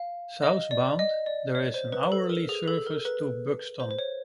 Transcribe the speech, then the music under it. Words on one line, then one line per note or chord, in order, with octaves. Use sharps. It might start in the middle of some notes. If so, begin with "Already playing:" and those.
Southbound there is an hourly service to Buxton.
Already playing: F5
D#5
D5
D#5
D5
C#5
C5
B4
A4
A#4
G#4
A4
A#4
B4
C5
C5
C#5